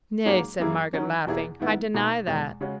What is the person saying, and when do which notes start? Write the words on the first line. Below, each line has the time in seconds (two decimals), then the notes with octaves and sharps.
'Nay,' said Margaret, laughing, 'I deny that.
0.25 G#2 F#3 A#3 C#4 G#4
0.59 F#2 E3 A#3 E4 G#4
0.93 D#3 F#3 C#4
1.26 E2 B2 A#3 E4 G#4
1.60 G#2 D#3 G#3 B3 E4
1.94 B2 A#3 D#4
2.27 E2 B2 G#3
2.61 C#3 G#3 C#4 F#4